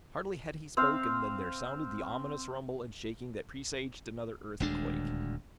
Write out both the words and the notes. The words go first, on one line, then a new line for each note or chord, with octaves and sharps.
Hardly had he spoken than there sounded the ominous rumble and shaking that presaged another earthquake.
C4 F5
D#1 D2 G#3 D4